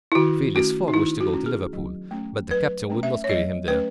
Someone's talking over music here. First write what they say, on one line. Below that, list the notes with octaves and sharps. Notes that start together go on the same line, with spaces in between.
Phileas Fogg wished to go to Liverpool, but the captain would not carry him there.
E4
D#3 F#4
A3 C#4 F#4
D#4
D#3 E4
F#4
A3 C#4
G#4
F#3
A3 C#4
F#3 B4
A3 C#4
E5
C#5
F#3 D#5
A3 C#4 B4